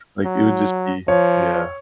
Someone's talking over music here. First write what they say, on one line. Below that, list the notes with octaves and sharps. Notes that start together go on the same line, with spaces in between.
like, it would just be Yeah.
F#3
F3 C#5